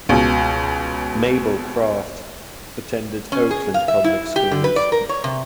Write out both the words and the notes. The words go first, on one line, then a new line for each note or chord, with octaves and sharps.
Mabel Craft attended Oakland public schools.
C#2 B2
C#4
G#4
F5
E5
E4
G4
D3
B4
D5
A#4
C#5
C3